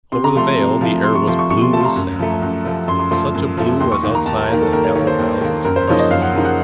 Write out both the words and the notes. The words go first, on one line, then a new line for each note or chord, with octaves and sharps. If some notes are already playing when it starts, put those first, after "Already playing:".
Over the vale the air was blue as sapphire--such a blue as outside that apple-valley was never seen.
C3 C6
A#5
F3 A3 C6
C3
F3 A3
C3 C6
C#6
F3 A3 C6
C#6
C3 C#6
C6
F3 A3 A5 C6
A#5
F#2
F3 A3
F#2
F3 A3
F#2 C6
C6
F3 A3 C6
F#2
F3 A3
D#2 C6
C#6
D#3 A#3
A#5
D#2 A5
A5
D#3 A#3 A#4
A4
D#2 A#4
C#5
D#3 A#3 C#5
C5
D#2
D#3 A#3
F#2 A#4
C5
C#3 F3 A#3 D#4 C#5
D#5
F#2 F5
F#5
C#3 F3 A#3 D#4
F#5